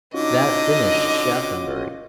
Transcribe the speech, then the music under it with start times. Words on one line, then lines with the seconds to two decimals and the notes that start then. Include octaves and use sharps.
That finished Shaphambury.
0.14 D3 C#4 D#4 F4 F#4 D#5 D6